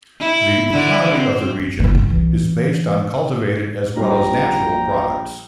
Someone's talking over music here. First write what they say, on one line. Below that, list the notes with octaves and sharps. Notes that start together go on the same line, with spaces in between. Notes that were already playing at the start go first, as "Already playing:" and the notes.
The economy of the region is based on cultivated as well as natural products.
E4
D3 E4
C4
F#1 A#2
C2
E3
A#1 G3 G5 A#5